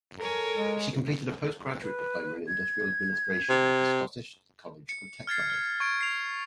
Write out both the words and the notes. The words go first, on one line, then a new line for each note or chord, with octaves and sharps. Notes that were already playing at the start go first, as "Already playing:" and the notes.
She completed a Post-graduate Diploma in Industrial Administration at the Scottish College of Textiles.
A4 A#4 C#5 G#5
G#3
B4
G#6
C3
C#7
F6 G#6 A6 C7
F6 G#6
C#6 G#6 D7
C7 F7